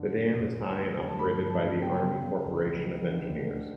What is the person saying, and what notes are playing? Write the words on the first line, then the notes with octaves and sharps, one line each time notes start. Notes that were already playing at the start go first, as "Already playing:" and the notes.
The dam is high and operated by the Army Corporation of Engineers.
Already playing: F#2 D3
D3
F#2
D2
G3
D2
A5
G2 B5
G2
A5
D3
C#3 G5
C#3
C#3
C#2
C#2
C#2
D3
D2
D3